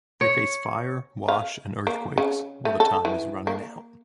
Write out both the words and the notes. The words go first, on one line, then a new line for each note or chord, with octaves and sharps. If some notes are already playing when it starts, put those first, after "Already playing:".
They face fire, wash and earthquakes while the time is running out.
C#5
F5
A#3
C#3
A3
A4
E3
A#3